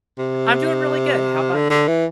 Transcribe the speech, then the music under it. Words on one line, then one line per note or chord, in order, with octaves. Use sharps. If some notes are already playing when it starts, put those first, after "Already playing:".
I'm doing really good. How about you?
C3
D3
D3
E3